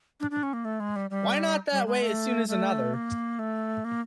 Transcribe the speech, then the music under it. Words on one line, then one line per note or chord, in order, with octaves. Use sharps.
Why not that way as soon as another!
D4
D4
C#4
A#3
A3
G#3
G3
G3
G3
G#3
A3
A3
A#3
A3
A#3